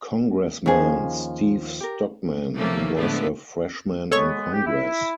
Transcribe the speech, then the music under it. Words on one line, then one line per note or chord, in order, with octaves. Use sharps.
Congressman Steve Stockman, who was a Freshman in congress.
D#2 F3 C#4 G#4
G4 A#4
C3 E3 F3 A3 A#3 C#4
A2 D3 F3 G#3 A3 B3
G#3 B3 A4 C#5 C#6
G4
E4